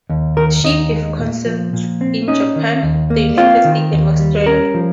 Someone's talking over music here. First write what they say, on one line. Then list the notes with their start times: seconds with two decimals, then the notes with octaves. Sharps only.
She gave concerts in Japan, the United States, and Australia.
0.09 D#2
0.37 D#3 A#4
0.64 D#2 D#4
0.91 G#3
1.19 A#2
1.46 F3
1.73 A#2
2.01 C4
2.28 C#4 D#4
2.56 D#3
2.83 D#2
3.10 A#3
3.37 C4 F4
3.65 D#3
3.92 D#2
4.20 G3
4.46 C#4 A#4
4.74 F3